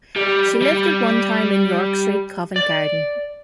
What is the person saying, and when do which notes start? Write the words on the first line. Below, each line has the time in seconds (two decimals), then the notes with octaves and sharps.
She lived at one time in York Street, Covent Garden.
0.16 G3
0.62 G3
2.56 D5